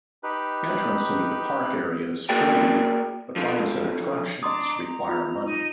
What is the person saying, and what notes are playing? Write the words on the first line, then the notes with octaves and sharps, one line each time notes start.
Entrance into the park area is free, but rides and attractions require money.
D#4 G4 B4 F#6
A#3 F#4 G#4 A#4 D5 G5
D3 F3
D4 D#5 A#5 C6 D6 D#6
A#5
F4
D#4